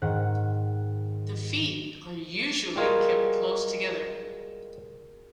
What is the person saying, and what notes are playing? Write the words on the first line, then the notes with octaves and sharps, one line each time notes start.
The feet are usually kept close together.
G#2 D#3 F#5
G3 G#3 F4 F#4 G#4 A#4